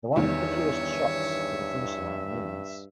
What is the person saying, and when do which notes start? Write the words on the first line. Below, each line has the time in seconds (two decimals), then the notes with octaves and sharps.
The one with the fewest shots to the finish line wins.
0.16 E2 G2 D#3 C#5 E5